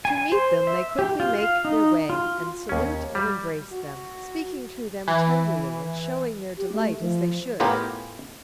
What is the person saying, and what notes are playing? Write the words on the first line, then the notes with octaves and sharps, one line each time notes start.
To meet them they quickly make their way, and salute and embrace them, speaking to them tenderly and showing their delight as they should.
G#5
G#5
C5
E5
G4
F4
F5
D#4
F4
D#2 C#4
G3
F#4
E3
G4
A3
F3
A2 B3 F4 G4 A#4 G#5